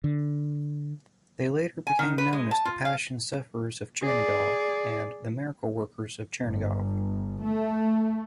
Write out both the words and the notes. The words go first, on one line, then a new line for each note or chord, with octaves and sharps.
They later became known as "The Passion-Sufferers of Chernigov" and "The Miracle-Workers of Chernigov".
D3
G#5
D#3
B4
G#3
A5
F4
F5
G#4 D5
G1
A3